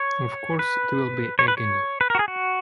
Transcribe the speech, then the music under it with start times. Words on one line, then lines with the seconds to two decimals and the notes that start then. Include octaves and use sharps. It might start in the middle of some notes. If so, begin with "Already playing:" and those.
Of course, it will be agony.
Already playing: C#5
0.59 B4
1.39 C#5
1.48 B4
1.57 C#5
2.01 B4
2.10 A#4
2.15 F#4
2.19 G#4
2.28 F#4